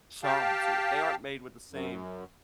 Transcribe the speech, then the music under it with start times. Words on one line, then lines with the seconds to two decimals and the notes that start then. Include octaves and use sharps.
charm to it. They aren't made with the same
0.24 G4 F5 G5 A5
1.71 F#2